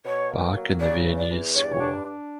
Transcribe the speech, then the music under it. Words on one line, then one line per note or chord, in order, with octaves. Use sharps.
Bach and the Viennese School.
B2 C#5
A#3
F#3
C#3 D5
E2
D5
E2
G2 C#5
D5
C#5
D4
D4